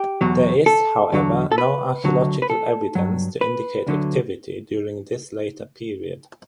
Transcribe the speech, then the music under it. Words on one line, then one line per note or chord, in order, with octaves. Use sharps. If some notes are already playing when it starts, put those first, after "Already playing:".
There is, however, no archaeological evidence to indicate activity during this later period.
Already playing: G4
E2 B2 F#3
A4
E2 D3 F#3
A4
B4
D2 D3 F#3
B4
A4
G2 F#3
B4
D2 D3 F#3